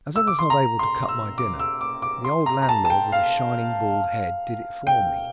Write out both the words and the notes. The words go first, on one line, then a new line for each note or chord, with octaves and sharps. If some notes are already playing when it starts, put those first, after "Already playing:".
As I was not able to cut my dinner, the old landlord with a shining bald head did it for me.
E6
D6
C6
A#5
C6
E6
D6
E6
D6
D6
C6
A#5
A#5
A5
A5
G5
F5
G5